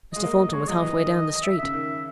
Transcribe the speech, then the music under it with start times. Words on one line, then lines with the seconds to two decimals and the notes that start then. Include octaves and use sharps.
Mr. Thornton was half way down the street.
0.13 D#5
0.16 G#3
0.23 A#3 D#5
0.53 G#3 C#5
0.68 F#3 D#5
0.83 E3
0.98 D#3
1.43 E5
1.58 C#3 E5
1.73 D#3